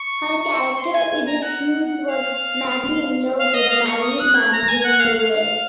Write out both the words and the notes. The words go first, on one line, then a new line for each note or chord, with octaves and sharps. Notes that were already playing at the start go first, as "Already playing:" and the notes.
Her character, Edith Hughes, was madly in love with a married man, Jim Lowell.
Already playing: C#6
C6
G#5
G#5
A#5
F#5
F5
F5
D#5
F5
C#6
D#6
F#6
G#6
A#5
G#5
F#5
F5
F5
F5